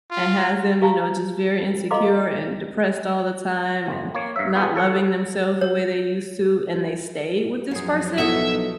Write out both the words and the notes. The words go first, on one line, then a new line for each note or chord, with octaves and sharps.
and has them, you know, just very insecure and depressed all the time and not loving themselves the way they used to, and they stay with this person,
F4
G4 F5 A5 A#5
A4 D#5 F5 A#5 C6 D6
G1
A#3 C#5
G2 E5
B3 F4 G4 G#4
A4 C#5 F#5
C#5
F#2 F3 F#3 G#4
B1 F#4 A4 D#5 E5